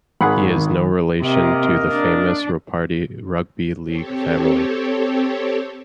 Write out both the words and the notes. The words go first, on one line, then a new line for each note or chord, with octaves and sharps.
He is no relation to the famous Ropati rugby league family.
G#1 G#4 F#5 B5
D#3
C3 A#3 A#4 D#5
D4
C4 G4 A4 C#5